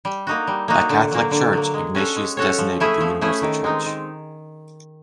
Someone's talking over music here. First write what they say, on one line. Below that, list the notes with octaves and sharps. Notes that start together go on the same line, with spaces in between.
By "Catholic Church" Ignatius designated the universal church.
G3
A#3 D#4 F#4
G3
A#3 D#4 F#4
D3
F#3 A#3
D3
F#3 A#3
G#3
C#4 F#4 A4 C#5
G#3
C#4 F#4 A4 C#5
F3
A3 C#4 E4 G#4
F3
A3 C#4 E4 G#4
D#3
G#3 C4 D#4
D#3